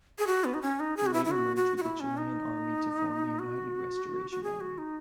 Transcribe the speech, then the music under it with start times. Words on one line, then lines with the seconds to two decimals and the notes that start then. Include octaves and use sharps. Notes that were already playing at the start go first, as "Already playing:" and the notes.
It later merged with the Chilean Army to form the United Restoration Army.
0.19 G#4
0.27 F#4
0.45 B3
0.54 D#4
0.62 C#4
0.80 D#4
0.97 G#4
1.06 F#4
1.13 E4
1.25 E4
1.31 F#4
1.56 F#4
1.77 F#4
1.83 E4
2.00 C#4
2.17 D#4
3.39 F#4
4.31 F#4
4.43 G#4
4.61 F#4
4.78 D#4